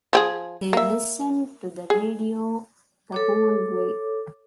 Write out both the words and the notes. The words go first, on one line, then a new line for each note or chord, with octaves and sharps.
They listened to the radio the whole way.
F3 G4 G#4
A#3 E5
G#4
A4 C#5 D6